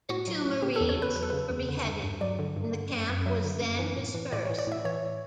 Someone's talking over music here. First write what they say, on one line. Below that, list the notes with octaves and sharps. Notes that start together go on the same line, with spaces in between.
The two marines were beheaded and the camp was then dispersed.
A2 F#4
F#3
A2
C#3 G4
A4
E2
C#5
E2 B4
F#3 B4
A4
C#3 B4
E2
D3
G2
G2
F#3 D5
D3
G2
D3
F#2
F#2
F#3 E5
D3
F#2
E3
A2
E3
A2 D5
C#5
E3
D5
A2 E5
E3 C#5